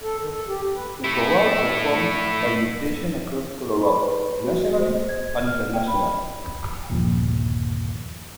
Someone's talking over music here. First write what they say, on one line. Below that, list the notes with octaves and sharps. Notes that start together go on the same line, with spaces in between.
The Chorale performs by invitation across Colorado, nationally and internationally.
A4
D#3
A4
G4
D#2
B4
A3 E4
B5
B4
F#4
C5
G#6
F6
G5
B5
G1 D#2 A#2 F3